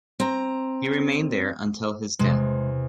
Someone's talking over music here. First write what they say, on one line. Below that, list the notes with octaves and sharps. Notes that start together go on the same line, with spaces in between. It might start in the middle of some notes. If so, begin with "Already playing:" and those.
He remained there until his death.
C4 A#5
E2 C3 G#3